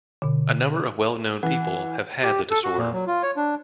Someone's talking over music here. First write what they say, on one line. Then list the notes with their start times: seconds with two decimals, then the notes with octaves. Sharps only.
A number of well-known people have had the disorder.
0.22 B2 D3
1.43 E3 F#5
2.23 G4
2.50 A4
2.64 F#4
2.78 A#2
2.93 F#3
3.07 F4
3.23 C#5
3.36 D4